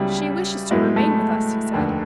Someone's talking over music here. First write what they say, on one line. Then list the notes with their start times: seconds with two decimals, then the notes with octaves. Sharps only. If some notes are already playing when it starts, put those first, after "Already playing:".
"She wishes to remain with us," he said.
Already playing: C#2 C#3 F#3 G3 B3 E4
0.71 A2 F#3 G#3 B3 E4
0.96 A3
1.73 F1 D#2 D3